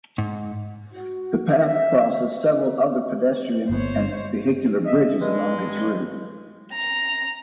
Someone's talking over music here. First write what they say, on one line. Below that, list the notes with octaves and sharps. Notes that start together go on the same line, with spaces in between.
The path crosses several other pedestrian and vehicular bridges along its route.
G#2
F#4
E5
G1 B3 C5 C#5
D#5 E5
G2 G#3
A#5